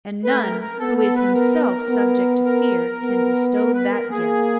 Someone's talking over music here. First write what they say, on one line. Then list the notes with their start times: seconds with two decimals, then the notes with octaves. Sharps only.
And none who is himself subject to fear can bestow that gift.
0.24 A3 B4
0.43 A#4
0.61 A#4
0.79 B3 A4
0.98 A4
1.16 B4
1.34 A#4
1.90 B3
2.45 A#4
3.00 B3
3.55 A#4
3.74 B4
3.92 A#4
4.11 A#3 G#4